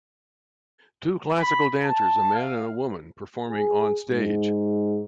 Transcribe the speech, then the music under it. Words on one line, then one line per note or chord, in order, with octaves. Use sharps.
Two classical dancers, a man and a woman, performing on stage.
B5
A5
F5
G#4
G#2